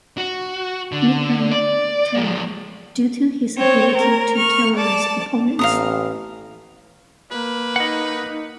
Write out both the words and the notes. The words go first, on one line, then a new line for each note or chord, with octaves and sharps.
Nicknamed "Terror" due to his ability to terrorise opponents.
F#4
D3
D5
F3 G#3
C4 C#5
A#4
C#6 F6
D5 A5
A1 F5 A#5 D#6
A#3 B4
D#4 D#5 F#5